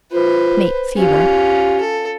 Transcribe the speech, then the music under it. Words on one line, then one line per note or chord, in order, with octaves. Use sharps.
Mate fever.
F4 B4 C5
C#4 F4 G4
A4